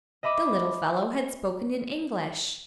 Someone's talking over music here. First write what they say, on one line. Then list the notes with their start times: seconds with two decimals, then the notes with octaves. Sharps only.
The little fellow had spoken in English.
0.23 D#5 E5 B5 D6 D#7